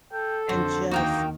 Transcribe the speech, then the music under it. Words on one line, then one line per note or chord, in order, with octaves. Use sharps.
and just
A4 G5
F2 D3 F#4 C5
D#2 D#3 A#3 D#4 F#4 A#4 G5